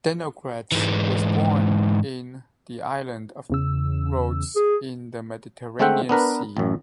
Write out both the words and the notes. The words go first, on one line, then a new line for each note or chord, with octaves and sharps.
Denocrates was born in the island of Rhodes in the Mediterranean Sea.
G#2 E3
E2 C#3 E6
G#4
G#3 A3 C4 E5 F#5 G5
B3 D4 A#4 B4
A1 F#2